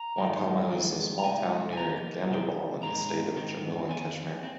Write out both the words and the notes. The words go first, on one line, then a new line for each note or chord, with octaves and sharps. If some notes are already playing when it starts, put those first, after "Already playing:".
Wandhama is a small town near Ganderbal in the state of Jammu and Kashmir.
Already playing: A#5
G#2 D#3 A#3 D#4
F2 D#3 G#3
A#5
C3 G#3 D#4 G#5
G#5
D#2 D#3 A#3 D#4 A#5
C3 F3 C4
G#2 D#3 G#3 C4 A#5
G#2 D#3 C4 D#4
F2 D#3 C4 G#5
C4